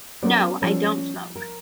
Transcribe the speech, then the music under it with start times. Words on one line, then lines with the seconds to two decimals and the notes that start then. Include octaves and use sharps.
No, I don’t smoke.
0.23 F#3 B3 C#4 A#4 D5
0.62 F3 G3 C#4 A4 D5
1.35 A#4